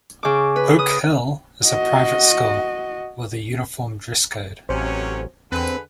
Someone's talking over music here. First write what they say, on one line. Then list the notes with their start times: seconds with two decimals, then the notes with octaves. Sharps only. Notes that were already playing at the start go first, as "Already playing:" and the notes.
Oak Hill is a private school with a uniform dress code.
0.23 C#3 D6
0.56 B4
0.79 D#6
1.66 F#4 D#5
4.69 A1 C3 F#3 C#4 C5
5.52 E2 D3 C4 G#4 B4